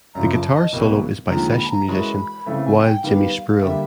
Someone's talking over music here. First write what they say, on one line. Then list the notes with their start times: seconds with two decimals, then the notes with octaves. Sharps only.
The guitar solo is by session musician Wild Jimmy Spruill.
0.14 F#2 C#3 F3 A#5
0.34 A5
0.54 D#5
0.73 C2 B2 G3 A#3
1.30 D#2 D3 F3 G#3 A#5
1.50 B5
1.65 A5
1.70 A#5
1.88 E3 G#3 C#4 F#4 A#4 B5
2.46 C#3 E3 A3 C4
2.66 G#5
2.80 G#5
2.84 G5
3.04 D#3 G3 B3 F5
3.61 D3 G3 A#3 E5